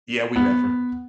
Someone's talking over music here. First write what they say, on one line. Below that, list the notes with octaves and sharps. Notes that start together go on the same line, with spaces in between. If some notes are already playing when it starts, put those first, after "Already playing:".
Yeah, we left her.
B3